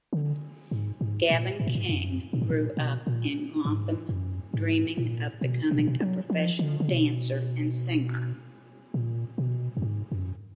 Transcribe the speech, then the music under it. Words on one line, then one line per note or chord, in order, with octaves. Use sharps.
Gavin King grew up in Gotham dreaming of becoming a professional dancer and singer.
D3
G#2
G#2
A#2
G#2
A#2
G#2
F#2
A#2
G#2
A#2
B2
A#2
G#2
F#2
G#2
A#2
B2
B2
A#2
B2
F#3
F3
D3
D3
B2
A#2
B2
F#2
G#2
F#2